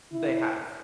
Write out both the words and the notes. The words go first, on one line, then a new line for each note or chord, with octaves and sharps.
They have.
E4